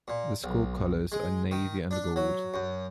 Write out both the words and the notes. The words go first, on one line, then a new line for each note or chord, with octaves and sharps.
The school colors are navy and gold.
A#2
B1
G#3
D#3
D4
F#3
F#2